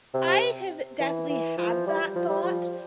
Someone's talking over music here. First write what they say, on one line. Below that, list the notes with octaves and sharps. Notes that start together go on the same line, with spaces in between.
I have definitely had that thought
C3
E3
E3
F3
G3
F3
G3
F3